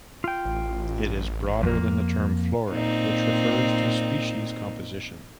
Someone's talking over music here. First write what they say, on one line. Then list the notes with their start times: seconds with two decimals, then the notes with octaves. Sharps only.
It is broader than the term "flora" which refers to species composition.
0.24 F4 G5
0.45 A1
1.63 F2 A#3
2.71 A#2 C4 D#4